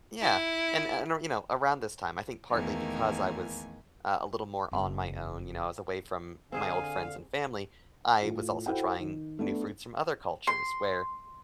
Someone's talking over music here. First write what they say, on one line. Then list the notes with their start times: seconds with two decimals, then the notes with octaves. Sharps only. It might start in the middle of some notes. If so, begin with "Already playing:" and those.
Yeah, and and, you know, around this time, I think partly, because I was uh, a little more on my own, you know, I was away from my old friends, and family, I was also trying new foods from other cultures where,
0.21 E4
2.49 E2 D#3 A3 A#3 G#5
4.72 F#1 C4
6.52 D3 C4 G#4 C5 F5 G#5
8.22 A2 F4
8.66 E4 F#4 A4 C5 F#5 G5
8.99 D#3
9.39 A3 B3 D4
10.47 C6